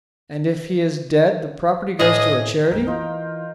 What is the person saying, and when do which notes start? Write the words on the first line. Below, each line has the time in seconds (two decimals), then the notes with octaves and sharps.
"And if he is dead the property goes to a charity."
1.99 A2 G#4 D#5
2.71 B1 F#2 A3 A#4 G5
2.87 E3 D#4 F4